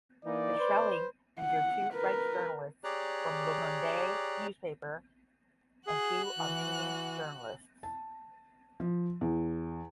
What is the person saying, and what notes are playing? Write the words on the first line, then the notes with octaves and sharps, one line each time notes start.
The shelling injured two French journalists from "Le Monde" newspaper and two Armenian journalists.
E3 A#3 D#4 D5
B4 C5
F#5
A#4 B4
G4 G#4 C#5 D5 A#5 F#6
F#4 G#4 F#6
E3
A5
F3
E2